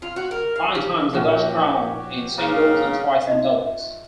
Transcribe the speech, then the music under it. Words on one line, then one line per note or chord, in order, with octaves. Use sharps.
Nine times the Dutch crown in singles and twice in doubles.
F4
F#4
A#4
F5
G4
A#1 F3 C#4 F#4 G4
C#3 A#3 F5
D#4 F4 D#5 E5